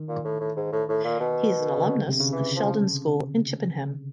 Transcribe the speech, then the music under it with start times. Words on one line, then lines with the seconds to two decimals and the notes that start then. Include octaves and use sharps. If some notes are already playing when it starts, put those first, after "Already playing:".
He is an alumnus of Sheldon School in Chippenham.
Already playing: D#3
0.08 A#2
0.24 A2
0.40 A2
0.56 G#2
0.72 A2
0.89 A2
1.04 A#2
1.20 B2
1.78 C#3
1.85 D3
1.96 C#3
2.08 C3
2.20 C#3
2.32 E3
2.56 F3